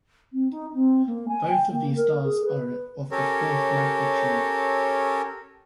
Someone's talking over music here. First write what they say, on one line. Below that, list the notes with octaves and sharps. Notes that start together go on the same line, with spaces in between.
Both of these stars are of the fourth magnitude.
C4
D#4
C4
A#3
G#5
G5
A#3
A#4
G#4
B4
C#4 G4 A4 A#4 C#5